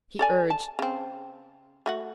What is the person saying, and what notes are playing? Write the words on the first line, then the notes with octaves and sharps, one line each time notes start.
He urged.
A4 D5 G#5
A5
C#3 C4
A3 F#4 F#5